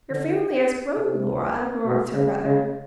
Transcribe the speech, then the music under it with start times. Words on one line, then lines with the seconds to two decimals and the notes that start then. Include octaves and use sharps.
"Your family has grown, Lora," remarked her brother.
0.11 D3
0.97 C3
1.86 B2
2.14 C#3
2.45 C#3